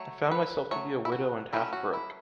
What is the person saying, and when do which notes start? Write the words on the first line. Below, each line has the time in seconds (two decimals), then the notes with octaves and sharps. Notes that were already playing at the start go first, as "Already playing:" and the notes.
I found myself to be a widow and half broke.
Already playing: F#3 A3 C#5
0.31 B4
0.71 F#3 A3 C#5
1.05 E4
1.12 F#4
1.53 F#3 A3 C#4 E4
1.73 F#4
1.93 E4